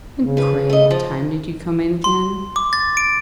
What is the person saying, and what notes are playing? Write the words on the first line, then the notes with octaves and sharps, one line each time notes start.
"And pray what time did you come in again?"
C#3
F3 B4
A3 D#5
F3
C6
D6
A6
D7